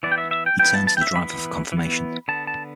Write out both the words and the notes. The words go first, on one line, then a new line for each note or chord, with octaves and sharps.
He turned to the driver for confirmation.
E3 B3 D5
G5
E5
E5
G5
E3 B3 G5
A5
A5
G5
E5
B3 B5
E3
E3 B3
D3 B3 A5
A5